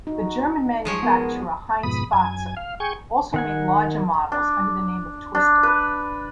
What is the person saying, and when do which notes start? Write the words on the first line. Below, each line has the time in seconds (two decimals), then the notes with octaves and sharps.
The German manufacturer Heintz-Fahtze also made larger models under the name of Twister.
0.07 D#4 F#4
0.85 F3 G#3 G#4 C#5
1.03 B3 A#4
1.83 F2 G#2 B2 B5 D#6
2.13 F#2 G#5
2.57 F5
2.80 G#4 G5 G#5 C#6
3.34 D#3 F#5 G#5
4.32 D4
5.35 D4
5.63 B4